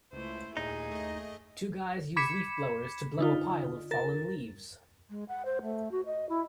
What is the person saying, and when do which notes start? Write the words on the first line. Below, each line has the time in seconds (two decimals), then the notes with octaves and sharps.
Two guys use leaf blowers to blow a pile of fallen leaves.
0.13 C#2 A3 E4 C5
0.57 D#2 A#2 D#4 G#4
0.91 A3 D#5
2.16 B5 D6 G#6 B6 C#7 E7
3.19 D3 D#4 F4
3.91 A#4 A6
5.10 G#3
5.29 F#5
5.45 C5
5.62 A3
5.91 F#4
6.06 D#5
6.29 E4